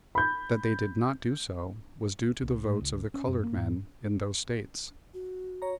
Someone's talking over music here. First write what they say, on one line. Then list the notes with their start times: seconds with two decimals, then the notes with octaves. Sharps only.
That they did not do so was due to the votes of the colored men in those States.
0.15 B5 G6
2.42 C2
2.64 A2
2.81 C#2
3.14 C#4
3.28 F#2
3.44 A#3
3.57 G#2
5.14 F#4
5.62 C#5 A#5